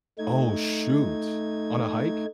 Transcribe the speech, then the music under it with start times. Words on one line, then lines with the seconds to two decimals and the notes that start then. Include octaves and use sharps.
Oh, shoot. On a hike?
0.18 A3 D#4 G#6